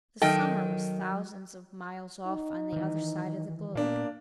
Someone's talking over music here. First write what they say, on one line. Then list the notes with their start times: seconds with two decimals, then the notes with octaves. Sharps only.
The summer was thousands of miles off on the other side of the globe.
0.22 D#3 F#3 A4 D#5 G5
2.27 D#4
2.73 D#3 E3
3.75 A#2 A#3 B3 D4